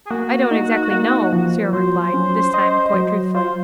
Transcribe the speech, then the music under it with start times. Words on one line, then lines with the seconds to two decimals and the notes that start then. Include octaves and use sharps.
'I don't exactly know,' Cyril replied, this time quite truthfully.
0.06 G#4
0.11 A#3 F#4
0.51 D#4
0.91 A#3
1.33 F3
1.73 F#3 C5
2.14 C#4
2.54 D#5
2.94 F#3
3.34 F4 C5